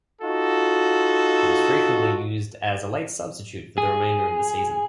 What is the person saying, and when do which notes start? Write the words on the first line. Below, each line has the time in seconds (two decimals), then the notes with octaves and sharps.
He was frequently used as a late substitute for the remainder of the season.
0.22 D#4 F4 F#4 A4
3.78 G#4